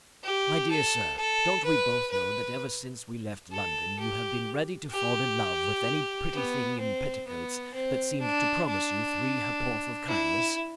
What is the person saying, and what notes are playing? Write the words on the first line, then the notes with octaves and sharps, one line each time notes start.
My dear sir, don't we both know that ever since we left London you have been ready to fall in love with any pretty thing in petticoats that seemed to promise you three ha'porth of kindness.
G4
A4
A4
B4
B4
A4
G4
G4
B3
C4
B3
C4
D4
D4
E4